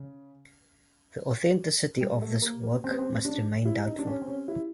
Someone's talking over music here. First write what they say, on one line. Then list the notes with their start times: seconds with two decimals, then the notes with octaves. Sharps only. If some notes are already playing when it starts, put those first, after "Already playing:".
The authenticity of this work must remain doubtful.
Already playing: C#3
2.01 G3
2.22 A3
2.42 A#3
2.63 A#3
2.84 C4
2.91 B3
2.99 C4
3.25 D4
3.65 E4
3.86 D#4
3.99 D4
4.07 C#4
4.22 C4
4.27 C#4
4.48 E4